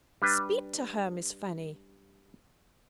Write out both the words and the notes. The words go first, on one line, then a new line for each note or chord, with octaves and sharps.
Speak to her, Miss Fanny!'
G3 D4 B4